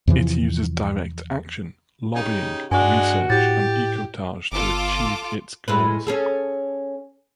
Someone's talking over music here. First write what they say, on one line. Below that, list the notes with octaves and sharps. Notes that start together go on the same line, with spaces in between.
It uses direct action, lobbying, research, and ecotage to achieve its goals.
E2 C3 E3 F3
C#3 D#4 G4
G2 G#3 D4 F#4 G#5
A2 G4 A6
G1 F4 A4 D6
A2 G#3 B4
C#4 G#4 A4